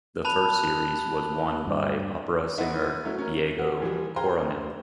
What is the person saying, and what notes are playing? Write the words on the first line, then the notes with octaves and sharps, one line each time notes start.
The first series was won by opera singer Diego Coronel.
A5 B5 F#6 F7
G2
D#4 E4 B4 F#5 C6
F#3 A3 C#4 E4
C#4 A#4
F#4
E3 F3 G3
G#4 C5 F5 G5 A#5 C6